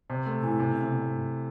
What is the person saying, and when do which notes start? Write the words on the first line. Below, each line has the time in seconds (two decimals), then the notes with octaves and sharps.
Oh no.
0.10 C3
0.26 A3
0.43 E3
0.59 C3